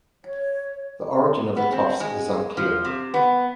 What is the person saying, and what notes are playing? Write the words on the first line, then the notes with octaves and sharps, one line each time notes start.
The origin of the Tofts is unclear.
C#5
B3
C4
G#3
F3
C3
B3